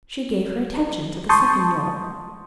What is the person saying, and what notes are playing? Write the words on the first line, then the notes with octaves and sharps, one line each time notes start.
She gave her attention to the second drawer.
A5 C6 C#6 D#6 G6